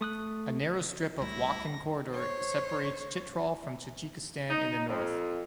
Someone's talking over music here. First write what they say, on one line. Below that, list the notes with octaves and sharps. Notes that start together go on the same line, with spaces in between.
A narrow strip of Wakhan Corridor separates Chitral from Tajikistan in the north.
A3 D#6 F#6
C#2 G3 A3 E4 A#6
C5 C#5
D#4
F2